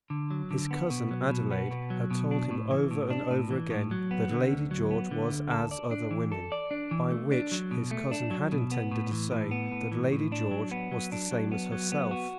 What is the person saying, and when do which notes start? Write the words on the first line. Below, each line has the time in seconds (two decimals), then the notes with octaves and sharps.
His cousin Adelaide had told him over and over again that Lady George was as other women,--by which his cousin had intended to say that Lady George was the same as herself.
0.10 D3
0.31 F#3
0.51 D3
0.71 B3
0.90 B2
1.11 F#3
1.30 B2
1.51 B3
1.71 B2
1.90 F#3
2.11 B2
2.31 D4
2.51 A2
2.71 E3
2.91 A2
3.10 D4
3.31 A2
3.51 E3
3.70 A2
3.91 F#3
4.11 B3
4.31 D3
4.51 D2
4.71 F#3
4.91 B3
5.11 D3
5.31 D2
5.51 A4
5.71 D5
5.91 D4
6.11 E3
6.32 A4
6.52 D5
6.71 D4
6.91 E3
7.11 A3
7.32 D4
7.51 F#3
7.71 B2
7.91 A3
8.11 D4
8.31 F#3
8.52 B2
8.72 B3
8.91 A2
9.11 E3
9.32 A2
9.51 B3
9.72 A2
9.92 E3
10.12 A2
10.32 D4
10.51 F#3
10.71 B3
10.92 F#3
11.12 D4
11.31 F#3
11.52 B3
11.72 F#3
11.92 B3
12.11 F#4